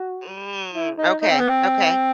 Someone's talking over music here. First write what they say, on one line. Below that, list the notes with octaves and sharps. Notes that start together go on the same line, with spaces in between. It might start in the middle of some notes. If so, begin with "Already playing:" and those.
Mm, okay, okay.
Already playing: F#4
E4
D#4
D#4
C4
B3
C4